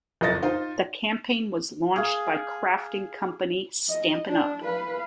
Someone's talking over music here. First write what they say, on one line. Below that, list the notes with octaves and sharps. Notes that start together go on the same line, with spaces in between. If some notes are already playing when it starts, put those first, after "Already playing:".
The campaign was launched by crafting company Stampin' Up!
F#1 F2 D#5 A6
D#4 F4 C5
G#4 F5
D#5
D4
B4 F5